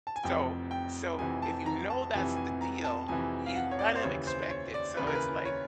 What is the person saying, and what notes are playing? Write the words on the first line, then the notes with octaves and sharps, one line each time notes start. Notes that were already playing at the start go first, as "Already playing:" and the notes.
So so, if you know that's the deal, you kind of expect it, so it's like
A5
G#5
F1 F2 C3 E3 G5
G5
F1 F2 C3 E3 G#5
A5
A#5
A5
F1 F2 C3 E3 G#5
G#5
A#5
A5
F1 F2 C3 E3 G#5
F5
F#5
C#5
D5
C5
D#2 C#3 E3 C#5
C5
C#5
D5
D#2 C#3 E3 B4
A#4
B4
C#5